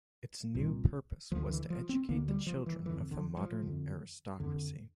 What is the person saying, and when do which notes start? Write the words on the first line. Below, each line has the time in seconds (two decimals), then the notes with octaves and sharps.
Its new purpose was to educate the children of the modern aristocracy.
0.55 C2 A#2
1.31 D2 D3 F3
1.51 E3
1.70 F3
1.89 C4
2.09 D2 D3 A#3
2.28 G3
2.47 F3
2.66 E3
2.85 D3 E3
2.90 F2
3.11 D3
3.37 F3
3.62 F2 D3
4.40 F2 D3